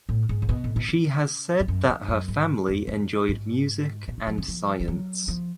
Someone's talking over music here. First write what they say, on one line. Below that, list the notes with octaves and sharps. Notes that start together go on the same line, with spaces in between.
She has said that her family enjoyed music and science.
A2
G#2
C#3
B2
A2
B2
C#3
F2
F#2
F2
F#2
G#2
F2
F2
G#2
B2
D3
F3
C#3
F3
F3
F#3
F3